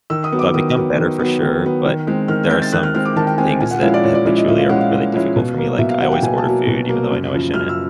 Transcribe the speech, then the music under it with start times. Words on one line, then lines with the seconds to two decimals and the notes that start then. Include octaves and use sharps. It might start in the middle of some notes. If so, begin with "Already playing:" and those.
But become better for sure, but there are some th things that habitually are really difficult for me. Like, I always order food even though I know I shouldn't
0.10 D#3 E6
0.24 D#6
0.32 F#3 B3
0.39 D6
0.54 D#3 D#6
0.76 F#3 B3
0.98 D#3
1.19 F#3 B3
1.41 D#3
1.64 F#3 B3
1.85 D#3
2.07 G#3 C4
2.28 D#3 F6
2.50 G#3 C4 G6
2.62 A6
2.73 D#3 F#6
2.83 F6
2.94 G#3 C4 F6
3.05 D6
3.16 D#3 A5
3.27 G5
3.38 G#3 C4 G#5
3.60 A#2 G#5
3.71 F#5
3.81 F3 G#3 C#4 E4 F5
3.94 D5
4.03 A#2 C#5
4.15 D5
4.26 F3 G#3 C#4 E4 D5
4.37 D#5
4.48 A#2 E5
4.59 F5
4.69 F3 G#3 C#4 E4 F#5
4.81 F5
4.91 A#2
5.13 F3 G#3 C#4 E4
5.36 B2
5.58 F#3 A#3
5.79 B2 E5
5.90 F5
6.01 F#3 A#3 F#5
6.12 G5
6.22 B2 G#5
6.38 A5
6.45 F#3 A#3
6.67 B2
6.88 F#3 A#3
7.11 F#2
7.32 C#3 F3
7.54 F#2 F6
7.69 E6